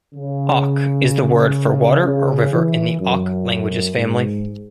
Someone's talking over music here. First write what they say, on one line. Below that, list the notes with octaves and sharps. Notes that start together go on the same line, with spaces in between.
"Ok" is the word for water or river in the Ok languages family.
C#3
C#3
E3
F#2
G#2